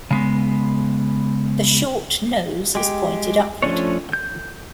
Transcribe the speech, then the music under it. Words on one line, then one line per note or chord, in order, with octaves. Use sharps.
The short nose is pointed upward.
C#3 G#3 B3
G#3 G4
F3 A3 C#4 D4 C#5
G6